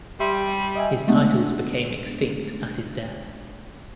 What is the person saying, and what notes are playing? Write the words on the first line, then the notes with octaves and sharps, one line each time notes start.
His titles became extinct at his death.
G3 E5 C6
D#5 E5 G#5
G#3 A3 B3 D4